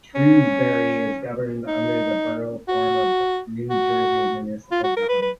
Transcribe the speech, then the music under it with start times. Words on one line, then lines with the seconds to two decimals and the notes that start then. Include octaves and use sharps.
Shrewsbury is governed under the Borough form of New Jersey municipal government.
0.15 C#4
1.67 D#4
2.69 F#4
3.70 F#4
4.72 F4
4.84 F#4
4.97 A#4
5.09 B4
5.22 B4